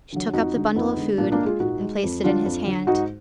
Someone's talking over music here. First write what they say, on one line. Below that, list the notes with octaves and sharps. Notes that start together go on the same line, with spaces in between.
She took up the bundle of food and placed it in his hand.
D3 F#3
F2 D#4 F#4
D3 G#3
F2 B3 D#4
D3 G#3
A#2 A#3 D4
A#3 D4
G#3
F4 G#4
A#2 D#4 F#4
G#3
F2
D3 F#3 D4 F4
F2
D3 F#3
G#2 D#4 F#4